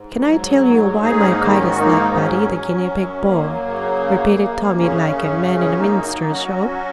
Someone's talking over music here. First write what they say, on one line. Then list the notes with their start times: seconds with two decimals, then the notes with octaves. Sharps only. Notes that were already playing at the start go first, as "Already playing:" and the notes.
"Can I tell you why my kite is like Buddy, the guinea pig boy?" repeated Tommie, like a man in a minstrel show.
Already playing: G#2
0.28 F#3
0.66 G#2
1.02 G#2 D#4 G#4
1.19 C#4
1.28 A#3 D#4
1.41 D#3
1.54 C#4
1.67 F#4
1.78 G#2 A#3 D#4
2.15 F#3 C#4
2.53 F#3
2.91 F#2
3.28 F#3 A#3
3.66 C#3
4.04 F#2
4.42 F#2
4.78 C#3 C#4
5.17 F#2
5.54 F#2 C#4
5.79 A#3 D#4
5.91 F#3
6.00 F#4
6.04 A#3 D#4
6.29 F#3 C#4 F#4
6.68 F#3